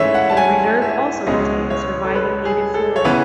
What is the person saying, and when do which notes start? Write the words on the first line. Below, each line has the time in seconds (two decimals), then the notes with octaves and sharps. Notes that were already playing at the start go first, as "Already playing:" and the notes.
The reserve also contained surviving native flora.
Already playing: G#2 E3 A3 C#4 C#5 E5
0.14 F#5
0.29 A5
0.37 G#5
0.82 E5
1.26 C#2 B2 G#3 C#4 D#5
1.70 C#5
2.05 A4
2.15 B4
2.45 G#4
2.74 A4
2.96 C#5
3.05 C#3 E3 B3 B4